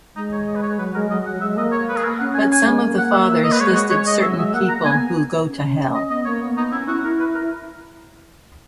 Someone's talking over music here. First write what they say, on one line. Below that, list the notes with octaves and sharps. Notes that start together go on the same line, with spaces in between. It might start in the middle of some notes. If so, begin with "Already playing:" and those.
But some of the fathers listed certain people who go to hell.
G#3 D#4
C#5
D#5
B4
C#5
F#3 B4
G#3 A#4
F#3 D#5
F#5
F#3
G#3 E5
A#3 D#5
C#5
B4
G#4
A#4
C#4 F#5
G#5
G#5
G#3
A#3
F#5
E5
E5
D#5
B4
G#3 C#5
F#4
C#5
D#5
F#3 E5
G#3 E5
A#3 F#5
A#5
A#3
B3 G#5
C#4
D#5
B3 D#5
A#3 C#5
B3
B3 D#4
C#4 E4
E4 F#4
E4 A#4
B4
A#4